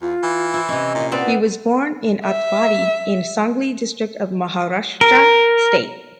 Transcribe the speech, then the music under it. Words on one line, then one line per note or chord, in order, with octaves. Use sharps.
He was born in Atpadi, in Sangli district of Maharashtra state.
E2 F4
E3
E4 C5
C3 C#4 D#5
A#2
B3 C4 B4 D5
E5
A#4